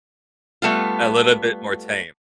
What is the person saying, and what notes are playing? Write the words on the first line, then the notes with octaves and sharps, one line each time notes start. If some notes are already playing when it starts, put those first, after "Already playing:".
a little bit more tame.
G3 A3 B3 F4